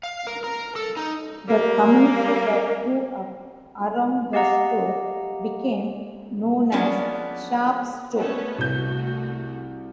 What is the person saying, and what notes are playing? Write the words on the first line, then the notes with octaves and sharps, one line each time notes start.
The community that grew up around the store became known as Sharpe's Store.
F5
A#4
A#4
A4
D#4
G3 A#3
G4 D#5 F5 F#5 A#5
F3 G#3 A#3 B3 C#4 D4
A3 B3 C#4
C2 A3 F#4 G6